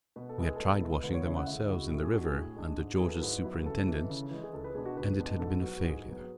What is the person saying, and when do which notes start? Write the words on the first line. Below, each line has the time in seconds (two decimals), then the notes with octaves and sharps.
We had tried washing them ourselves, in the river, under George's superintendence, and it had been a failure.
0.16 B2 B4
0.29 A4
0.38 G#3 B3 E4 G#4
0.56 B2 A4
0.81 G#3 B3 E4
1.03 D2 B4
1.14 C#5
1.25 C#3 G#3 C#4 E4 E5
1.36 F#5
1.47 D2 E5
1.69 C#3 G#3 C#4 E4 F#4
1.91 A2 A4
2.03 G#4
2.13 G#3 D4 F#4
2.26 G#4
2.34 A2
2.56 G#3 D4
2.79 G#2
2.95 G#4
3.00 F#3 B3 E4
3.08 A4
3.22 G#2 B4
3.44 F#3 B3 E4
3.55 G#4
3.65 C#3 A4
3.87 E3 G#3
4.10 C#3
4.30 E3 G#3
4.43 G#4
4.53 C#2 A4
4.64 B4
4.75 B2 G#3 D4 G#4
4.86 F#4
4.97 C#2 B4
5.19 B2 G#3 D4
5.40 G#2 A4
5.62 F#3 B3 F#4
5.84 G#2 G#4
6.05 F#3
6.10 B3